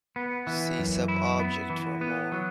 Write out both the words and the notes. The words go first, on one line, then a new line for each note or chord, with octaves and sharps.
See subobject for more.
B3
E3
F#2
E4
B3
E3
B3
F#3